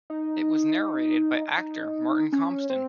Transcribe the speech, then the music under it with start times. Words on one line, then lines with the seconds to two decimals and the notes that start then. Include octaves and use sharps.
It was narrated by actor Martin Compston.
0.10 D#4
1.58 D#4
2.33 C#4
2.70 C4